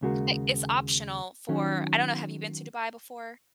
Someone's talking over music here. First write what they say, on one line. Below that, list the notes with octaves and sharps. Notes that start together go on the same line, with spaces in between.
I it's optional for I don't know, have you been to Dubai before?
D#2 C#3 G#3 F#4 A#4
D#3 F#3 C#4